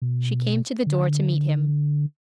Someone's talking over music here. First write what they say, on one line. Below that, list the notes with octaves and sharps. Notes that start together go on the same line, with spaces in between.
She came to the door to meet him.
B2
D3